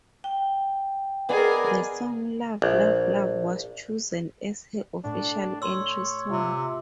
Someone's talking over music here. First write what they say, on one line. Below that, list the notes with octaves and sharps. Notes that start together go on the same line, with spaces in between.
The song "Love Love Love" was chosen as her official entry song.
G5
B3 G#4 A#4 D5 D#5
A#1
A2 D4
C#5 C6 E6
C3 F4